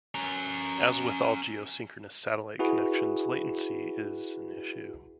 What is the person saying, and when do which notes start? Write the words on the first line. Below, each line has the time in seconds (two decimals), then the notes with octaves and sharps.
As with all geosynchronous satellite connections, latency is an issue.
0.15 C#4 A#5
2.59 E4 F#4 G#4 B4